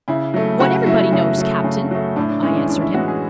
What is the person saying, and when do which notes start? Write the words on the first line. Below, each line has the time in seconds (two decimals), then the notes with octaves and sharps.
"What everybody knows, captain," I answered him.
0.08 C#3 E4
0.34 F#3 A3
0.60 C#3 F#4
0.86 F#3 A3 E4
1.12 C#3 E4
1.38 F#3 A3
1.64 C#3
1.91 F#3 A3
2.16 A2 D4
2.29 D4
2.43 E3 G#3 C#4
2.55 D4
2.69 A2 D4
2.81 E4
2.94 E3 G#3 F#4
3.08 G#4